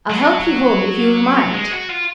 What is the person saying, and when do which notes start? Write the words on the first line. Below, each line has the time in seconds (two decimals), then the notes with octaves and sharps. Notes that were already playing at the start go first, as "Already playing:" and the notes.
"I'll help you home if you've a mind."
0.10 F#3
1.53 G#3
1.72 F#4
1.90 F4